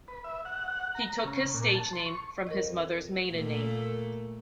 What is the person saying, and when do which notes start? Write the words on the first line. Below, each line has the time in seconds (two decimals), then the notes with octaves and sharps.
He took his stage name from his mother's maiden name.
0.08 B4
0.24 E5
0.45 F#5
0.68 F#5
0.95 A#5
1.24 C#3
1.54 A#2
1.68 A5
1.93 C6
2.06 C#6
2.47 F2 A#4 D#5
3.29 A#2 A3 A#3